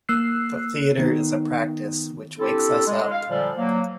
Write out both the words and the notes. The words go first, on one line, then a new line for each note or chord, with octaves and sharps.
The theatre is a practice, which wakes us up.
A#3 E6 F#6 C7
D#3 B3 D#4
C4 D4 E4 G4 A4
G#3
F5
A#2 D3 F3 G3
F#3 A#3